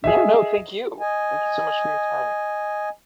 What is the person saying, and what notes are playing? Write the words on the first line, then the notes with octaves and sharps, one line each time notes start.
Yeah, no, thank you. Thank you so much for your time.
G#4 D#5 E5
D#5 G#5